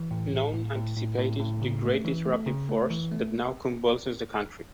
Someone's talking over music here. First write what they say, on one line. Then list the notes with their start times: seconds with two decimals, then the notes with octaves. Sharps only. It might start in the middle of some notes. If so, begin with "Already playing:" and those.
None anticipated the great disruptive force that now convulses the country.
Already playing: E3
0.11 A2
0.33 A2
0.54 A2
0.76 A2
0.97 A2
1.19 A2
1.40 A2
1.62 C#3
1.83 A3
2.05 E3
2.26 A3
2.46 C#3
2.69 A3
2.90 E3
3.12 A3